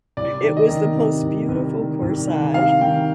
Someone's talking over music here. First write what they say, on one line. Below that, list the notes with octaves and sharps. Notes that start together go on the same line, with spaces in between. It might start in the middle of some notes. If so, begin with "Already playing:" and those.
it was the most beautiful corsage,
C2 D5
D#3
D#5
D#3
C3
C2
C2
D#3
C2
D#3
C3 F5
D#3 G5